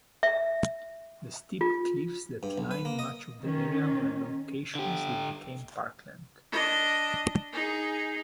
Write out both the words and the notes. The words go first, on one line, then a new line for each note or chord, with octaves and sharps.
The steep cliffs that line much of the area were locations that became parkland.
E5
F4
G2
B1
B4
A#3
D#5
D#3 C#4
D3 G4
D4 D#5
D#4 G#4